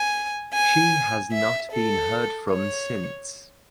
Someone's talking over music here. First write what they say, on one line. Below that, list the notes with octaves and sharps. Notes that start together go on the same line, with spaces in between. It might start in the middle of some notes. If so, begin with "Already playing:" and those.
She has not been heard from since.
Already playing: G#5
G#5
E5
A4
C#5